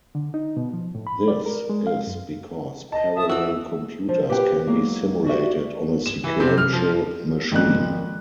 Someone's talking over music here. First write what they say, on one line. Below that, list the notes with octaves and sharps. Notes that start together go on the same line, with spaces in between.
This is because parallel computers can be simulated on a sequential machine.
D3
D#4
B2
F3
A2
B5
D5
A#4
G#3
F5
F#2
D#5 A5
E5 A5 D#6
E3 F#4 E6
F3
G4 B4 F5 G5
F#3 G#3 A#3
F#4 G4 D5 E5
E7
E3
C3
F6
F3
G#1 F2 A#3 F#6